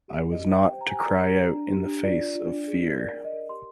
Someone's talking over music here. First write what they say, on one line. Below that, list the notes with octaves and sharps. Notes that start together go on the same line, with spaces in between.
I was not to cry out in the face of fear.
G4
D5
D#5
G4
G4 G5
C5
A#5
G4 G#5
A#5
D5
G4
D5
D4
G4
D4
F4 D5
F4
F4
D4
G#4
D4
A#4 D5
A#4
D#5
A#4
G4 C6